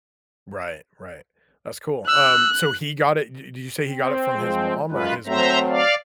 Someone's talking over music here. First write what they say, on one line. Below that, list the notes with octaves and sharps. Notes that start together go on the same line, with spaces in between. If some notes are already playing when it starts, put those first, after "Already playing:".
Right, right, that's cool. Um, so, he got it di did you say he got it from his mom or his grandma?
E6 F#6
C4
F3 G#3
F#2 G#3 F4 B4
F#3 A3 C4 C5 E5 A#5
D5 F5